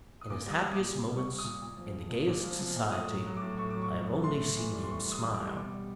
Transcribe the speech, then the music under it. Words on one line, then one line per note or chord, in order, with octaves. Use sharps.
In his happiest moments, in the gayest society, I have only seen him smile.
D#6
A#2 D6
G3 D#6
G3
D6
A#2
A#2
G3 C#6
G3
D#6
A#2
A#2
F3
F3
A#2
A#2
F3
F3
A#2
A2 D#6
F#3
F#3
A2 D6
A2 C#6
F#3 D6
C#6
F#3
A2
A2 C6
A2
E3
G3
C6
A2 C#6
A2
D#6
E3
G3 D6
B2 D6
G3